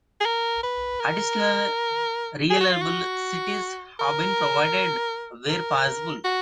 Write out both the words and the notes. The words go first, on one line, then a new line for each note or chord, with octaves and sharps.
Additional reliable cites have been provided where possible.
G#4
A#4
B4
A#4
G#4
F#4
F4
F#4
A#4
A#4
F#4